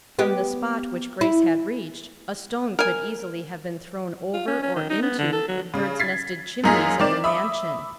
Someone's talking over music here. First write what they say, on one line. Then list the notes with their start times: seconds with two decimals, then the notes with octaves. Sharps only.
From the spot which Grace had reached a stone could easily have been thrown over or into, the birds'-nested chimneys of the mansion.
0.19 B3 G4
1.21 E4
2.79 A#4 G#5
4.34 F4
4.47 C#4
4.63 C#4
4.76 D#3
4.90 D#4
5.03 B3
5.18 D3
5.33 A4
5.48 F#3
5.74 C#3
6.00 G#6 A6 B6 C7
6.64 F#2 A#3 D#4 F4 G#4 B6
7.00 D#3 C4 D5 D6 E7
7.24 E5 B5 D6 D#6